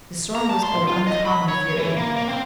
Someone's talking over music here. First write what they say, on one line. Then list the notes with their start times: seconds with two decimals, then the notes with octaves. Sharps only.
The storm was of uncommon fury.
0.35 A#5
0.49 A5
0.63 C6
0.87 F4
1.07 D#5
1.25 B5
1.48 C#5
1.77 E3
1.97 A#3
2.16 A#3
2.29 C4